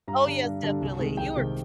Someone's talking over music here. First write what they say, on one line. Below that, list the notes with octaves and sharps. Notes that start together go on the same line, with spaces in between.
Oh, yes, definitely. You are f
G2 A#5
D3 G3 D4
G2
D3 G3 D4
C2
C3 D#3 G#3 C4
C2 G5
C3 D#3 G#3 C4